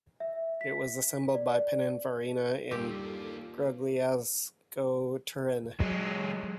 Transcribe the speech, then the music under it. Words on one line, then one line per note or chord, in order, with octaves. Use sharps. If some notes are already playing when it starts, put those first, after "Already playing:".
It was assembled by Pininfarina in Grugliasco, Turin.
E5
B6
D5
G2 D#3 G3 A#3 F4 G4 A4
F#3 G#3